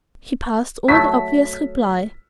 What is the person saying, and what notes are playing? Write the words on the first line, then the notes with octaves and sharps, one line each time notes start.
He passed over the obvious reply.
F#3 A3 B6